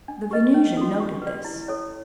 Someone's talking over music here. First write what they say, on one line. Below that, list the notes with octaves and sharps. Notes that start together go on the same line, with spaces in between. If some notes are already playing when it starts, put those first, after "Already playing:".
The Venusian noted this.
D4
G4 B4 D#5
C#4
F#4 A4
G4
B4 D5
E4
A4 C#5